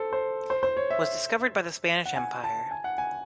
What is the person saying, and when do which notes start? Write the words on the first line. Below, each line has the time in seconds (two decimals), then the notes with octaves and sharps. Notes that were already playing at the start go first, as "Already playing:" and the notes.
Was discovered by the Spanish empire.
Already playing: A4 C5
0.13 C5
0.50 C5
0.63 C5
0.77 C#5
0.90 E5
2.06 F#5
2.16 G#5
2.44 A5
2.71 G#5
2.84 F#5
2.98 G#5